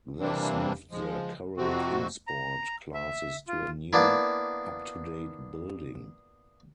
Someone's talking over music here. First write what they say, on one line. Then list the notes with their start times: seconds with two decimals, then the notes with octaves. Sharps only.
This moved their current Kingsport classes to a new up to date building.
0.20 C3 E3 G3 A#3 C4 D4
0.91 F3 G#3
1.57 F2 C3 C4 F#4
2.27 A#5
2.94 E5
3.48 F4
3.93 A#3 B3 D4 E4